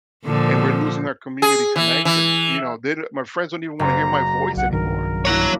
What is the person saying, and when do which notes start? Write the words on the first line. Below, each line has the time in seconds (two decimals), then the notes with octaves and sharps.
and we're losing our community connection. You know, the my friends don't even want to hear my voice anymore.
0.24 A#2 D3 F3
1.42 G#4
1.76 E3
2.05 E3
3.79 F#1 A#5
4.57 B1 F#5
4.72 B1 G2 D#3 A#4
5.25 A#3 D4 E4 C#5 A#5